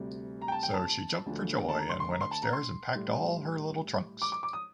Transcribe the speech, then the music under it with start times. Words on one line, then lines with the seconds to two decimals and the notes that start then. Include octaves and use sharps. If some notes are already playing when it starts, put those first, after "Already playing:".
So she jumped for joy; and went upstairs and packed all her little trunks.
Already playing: D2 C3 G3
0.41 A#5
0.48 G5
0.52 A5
0.63 G5
0.74 A5
1.26 D2 D3 F3
1.68 A5
1.79 A#5
1.89 C6
2.00 C6
2.11 A#5
2.21 C6
2.31 A5
2.42 A#5
2.53 C6
2.95 A2 G3
4.22 D6
4.32 D6
4.43 D6
4.53 D#6